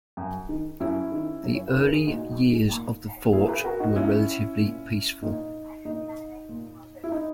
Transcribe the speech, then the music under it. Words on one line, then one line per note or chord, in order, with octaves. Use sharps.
The early years of the fort were relatively peaceful.
F#2
D#3
F#2 C#4 E4
D#3
F#2
C#5
B4
D#3
A#4
G#4
A#2 D#4 F#4
A#2
A#2 E4 G#4
G#4 B4
F#4 A#4
D#4 F#4
A#2 C#4 E4
A#2
A#2 D#4
A#2 D#4
A#2
E4
D#4